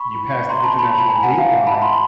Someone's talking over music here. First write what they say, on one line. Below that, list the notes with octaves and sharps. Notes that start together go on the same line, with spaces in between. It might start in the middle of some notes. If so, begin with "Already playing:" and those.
you passed the international dateline,
Already playing: B5 C#6
A#5 C6
A5 B5
A5 B5
B5
G#5 A#5
F#5 G#5
F5 G5
E5 F#5
A5 B5
A#5 C6